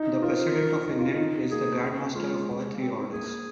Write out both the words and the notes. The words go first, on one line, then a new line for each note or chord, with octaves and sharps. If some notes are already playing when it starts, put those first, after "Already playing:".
The President of Finland is the Grand Master of all three orders.
Already playing: D#4
F4 A#4
C5
A#4
D#4
F4
D#4
A#3 G#4
G#3 F4
A#3
C4
A#3 G#4